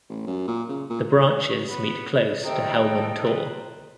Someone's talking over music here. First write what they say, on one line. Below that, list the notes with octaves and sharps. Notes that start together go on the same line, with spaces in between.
The branches meet close to Helman Tor.
A1
F#2
A#2
C#3
A#2
B3
C3 D#3 D#4 A4 G5
B4 C5